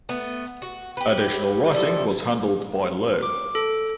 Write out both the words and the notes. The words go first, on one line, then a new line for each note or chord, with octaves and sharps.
Additional writing was handled by Lo.
A3 B3
F#4
G4 B4
F3 G3 E4 A4
D6
A4